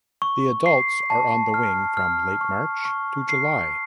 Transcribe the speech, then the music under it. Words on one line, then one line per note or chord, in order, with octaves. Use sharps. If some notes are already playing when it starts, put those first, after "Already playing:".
The adults are on the wing from late March to July.
C#6
C7
A5
F6
F6
C#6
C#6
C7